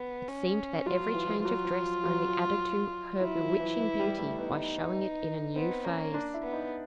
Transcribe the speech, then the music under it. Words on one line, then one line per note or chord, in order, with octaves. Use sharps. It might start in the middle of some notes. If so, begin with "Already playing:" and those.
It seemed that every change of dress only added to her bewitching beauty by showing it in a new phase.
Already playing: B3
C#4
F#3 F4
F3
E3
F3
F#3 F4
F3
F#3
F#3 E4
F3
E3
E3
G3
A3
B3 D#4
B3 C4
A#3 C#4
D4
E4
B3
D#4